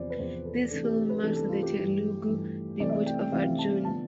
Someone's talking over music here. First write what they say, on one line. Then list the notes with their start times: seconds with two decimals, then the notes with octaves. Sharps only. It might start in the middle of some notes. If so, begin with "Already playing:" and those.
This film marked the Telugu debut of Arjun.
Already playing: E2 C3 F3 B3 C5 D5
0.10 B4
0.18 E2 C3 F3 B3 C5
0.45 A4
0.71 C3 E3 A3 D4 A4
0.84 G4
0.97 A4
1.10 B4
1.23 C3 E3 A3 D4 A4
1.36 A4
1.49 F4
1.63 G4
1.75 G2 E3 A3
2.28 G2 E3 A3
2.80 C3 E3 A3 C4 D5
2.89 E5
2.93 D5
3.06 G5
3.19 G5
3.32 C3 E3 A3 C4 F5
3.59 A5
3.85 D3 F3 B3 D4 A5